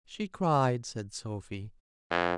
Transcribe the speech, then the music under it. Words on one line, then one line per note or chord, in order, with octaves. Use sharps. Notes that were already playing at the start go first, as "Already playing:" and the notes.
"She cried," said Sophie.
F2